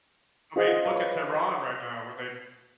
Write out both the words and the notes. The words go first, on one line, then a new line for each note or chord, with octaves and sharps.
I mean, look at Tehran right now when they
F4 G#4 C5 D#5 F5 F#5
B4 C#5 F5
C#6